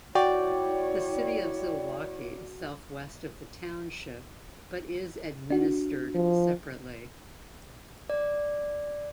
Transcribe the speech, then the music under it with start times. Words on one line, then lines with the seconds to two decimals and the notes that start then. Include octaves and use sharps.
The city of Zilwaukee is southwest of the township, but is administered separately.
0.15 E4 F#4 C#5 D5 G5
5.50 D4 F#4
6.15 F3
8.10 D5